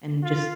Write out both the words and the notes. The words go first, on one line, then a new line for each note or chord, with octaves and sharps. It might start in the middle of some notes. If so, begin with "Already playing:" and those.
and just
F4